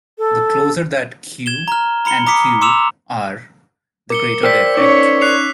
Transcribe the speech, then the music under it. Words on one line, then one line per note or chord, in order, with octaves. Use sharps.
The closer that "q" and "q" are, the greater the effect.
A4
G#6 E7 G7
A#5 F6
A#5 B5 C#7 G7
A#5 D6 D#6 B6 C#7
C6 D6 E6 E7 F7
A#4 D6 C#7 G7
A#4 C5 D5 G5 E6 B6
C#4 D#4 C#5 D6
F#6 C7 F7